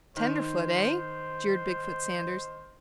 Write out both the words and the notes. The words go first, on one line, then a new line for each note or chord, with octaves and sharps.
"Tenderfoot, eh?" jeered Big-foot Sanders.
D#3 C5